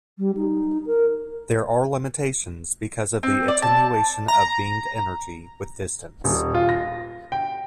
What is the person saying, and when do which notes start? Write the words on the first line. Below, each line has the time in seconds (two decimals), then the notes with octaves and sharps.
There are limitations because of the attenuation of beamed energy with distance.
0.18 G3
0.36 D#4
0.86 A#4
3.23 C4
3.48 D5
3.62 A5
4.28 A#5
6.24 D#1
6.54 F4
6.69 A#6
7.32 G5